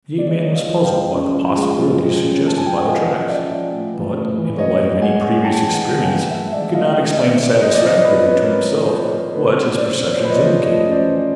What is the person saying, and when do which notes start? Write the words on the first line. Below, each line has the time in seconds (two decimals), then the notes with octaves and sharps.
The ape-man was puzzled by the possibilities suggested by the tracks, but in the light of any previous experience he could not explain satisfactorily to himself what his perceptions indicated.
0.18 D5
0.27 G#3 C#5 D#5
0.49 F3
0.55 D#5 F5
0.70 F3
0.84 F5 G5
0.91 G#3
1.12 C#4
1.35 F3
1.56 G#3
1.78 F3
2.00 F3
2.21 C#4
2.43 G#3 A5
2.57 G#5
2.64 C#4 G5
2.77 F#5
2.86 F3 D#5 F5
3.07 F3
3.28 C#4 D5 E5
3.50 F3
3.72 A2
3.94 E3
4.15 A2
4.37 E3
4.58 A2 C#5 D#5
4.80 A2
5.02 G#3 F#5 G#5
5.23 G#3
5.44 G#3 G5 A5
5.66 E3
5.74 F#5 G#5
5.88 G#3
6.02 F5 G5
6.10 E3
6.31 A2 E5 F#5
6.52 G#3 D5 E5
6.74 A2 D#5 F5
6.96 E3
7.18 C4 D5 E5
7.39 C4
7.61 F3 D#5
7.74 D5
7.82 F3 C#5 D#5
8.04 C4 B4 C#5
8.26 C4 B4 C#5
8.41 A#4
8.47 C4 B4
8.68 F3
8.84 C5
8.91 C4 B4 C#5
9.12 C4
9.33 A3 B4 C#5
9.54 C4
9.76 C4 C5 D5
9.99 C4
10.06 C#5
10.14 C5
10.20 F3 B4 C#5
10.30 D#5
10.34 C5 D5
10.42 F3
10.63 A3 C#5 D#5
10.85 C#4
10.92 C5 D5
11.06 E3